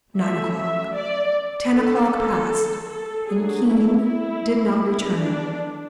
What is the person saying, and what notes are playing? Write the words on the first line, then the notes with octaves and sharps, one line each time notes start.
Nine o'clock, ten o'clock passed, and Keene did not return.
F#3 A3 C#4 E5
E5
D5
D3 A3 C#4 A4
A4
F#3 A3 D4 G#4
E4
E4
D3 G#3 B3 E4
D4